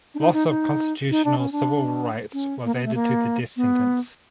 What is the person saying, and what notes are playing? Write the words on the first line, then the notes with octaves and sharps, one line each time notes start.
Loss of constitutional civil rights was added to the death sentence.
D4
D#4
D#4
D#4
D#4
D4
C#4
D4
C#4
A#3
B3
A3
A#3
B3